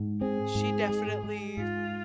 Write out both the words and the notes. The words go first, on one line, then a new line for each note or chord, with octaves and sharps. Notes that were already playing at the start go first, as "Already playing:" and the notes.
she definitely,
Already playing: G#2
C4 G#4
G#2
G#3
G#3
G#2 F4